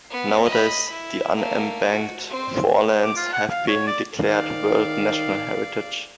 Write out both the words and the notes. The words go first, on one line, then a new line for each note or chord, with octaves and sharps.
Nowadays the unembanked forelands have been declared world natural heritage.
B3
D#5 B5
E4
A3 A#3
F#4
C4 C5
D6
F4
F#5
F5
C#5
D5
D#3 D5 F5